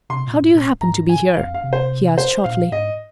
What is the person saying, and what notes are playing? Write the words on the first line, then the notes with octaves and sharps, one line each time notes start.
"How do you happen to be here?" he asked shortly.
C3 C6
A#2
G#2
A#2
G#2 A#5
G#5
F2 F5
F5
C3
C5
C5
A#2 F5
G#2 D#5